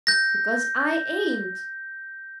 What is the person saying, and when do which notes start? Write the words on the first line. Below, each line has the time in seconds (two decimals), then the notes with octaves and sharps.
"Because I ain't."
0.07 G6 A#6